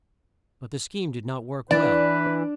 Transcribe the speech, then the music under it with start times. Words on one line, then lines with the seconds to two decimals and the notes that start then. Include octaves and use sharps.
But the scheme did not work well.
1.71 E3 D4 B4 D5